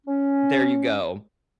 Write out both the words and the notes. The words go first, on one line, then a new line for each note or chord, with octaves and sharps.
There you go.
C#4